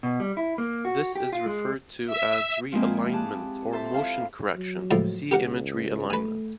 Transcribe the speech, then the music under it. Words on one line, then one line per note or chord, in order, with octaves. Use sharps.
This is referred to as "realignment" or "motion correction", see image realignment.
B2
G3
E4
A#3
F#4
G4
F4
G#3
E5
F3 G#3 A#3 C4 E4
G4 G#4 A5 F#6
A4 C5 E5 A5
E4 F4 F5
F#3
C#2 A2 F3
C#2 G4 A#4 F#5
A3 B4 G#5